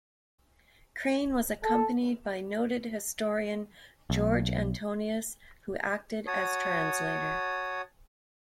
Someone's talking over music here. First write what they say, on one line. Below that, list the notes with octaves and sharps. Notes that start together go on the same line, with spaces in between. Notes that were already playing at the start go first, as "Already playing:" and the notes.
Crane was accompanied by noted historian George Antonius, who acted as translator.
A4
B1
F#4 C#5 A5 D#6